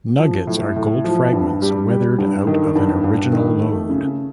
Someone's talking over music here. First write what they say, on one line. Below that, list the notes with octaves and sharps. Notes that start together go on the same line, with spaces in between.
Nuggets are gold fragments weathered out of an original lode.
F3
A2
A2
F3
G2
G3
G3
G2
D#3
G2
G2
D#3
A3
C#3